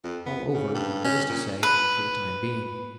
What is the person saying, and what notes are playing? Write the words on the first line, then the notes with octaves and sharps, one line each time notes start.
All over, that is to say, for the time being.
F2
B3
C#3
G2
C#4
A#2
B4